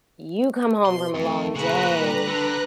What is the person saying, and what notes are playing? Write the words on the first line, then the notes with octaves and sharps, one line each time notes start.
you come home from a long day
B2 C6
F2 A3
A#2 C#3 F#4 B4 A#5 F#6
G3
D3 D4